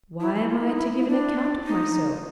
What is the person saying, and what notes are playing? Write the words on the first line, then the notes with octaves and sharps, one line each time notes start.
Why am I to give an account of myself?
E4
E4
F4
E4
D#4
E4
E4
D4
D#4